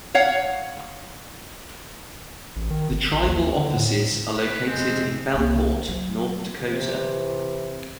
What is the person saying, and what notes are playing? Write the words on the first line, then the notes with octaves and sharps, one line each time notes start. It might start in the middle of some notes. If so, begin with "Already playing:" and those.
The tribal offices are located in Belcourt, North Dakota.
C#5 F5 F#5
A1
D#3
G1
A1
D#2
D3
A2
B4
F2 C3 G#3 C4
C2 A#3
F#3
C3 E3